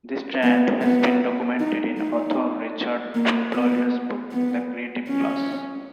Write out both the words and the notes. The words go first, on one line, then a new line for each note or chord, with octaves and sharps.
This trend has been documented in author Richard Florida's book, The Creative Class.
B3
B3
D#4
D#4
A#3
B3
B3
C#4